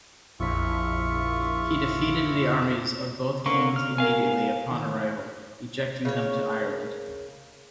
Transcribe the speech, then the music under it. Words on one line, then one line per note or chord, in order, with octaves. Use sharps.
He defeated the armies of both kings immediately upon arrival, ejecting them to Ireland.
A#1 F2 E4 F4 F5 C#6 B6
D3 A#3 C#4 C#6
F6
B3 A#4 F5 G#5
D#3
C#3 A#3 C#5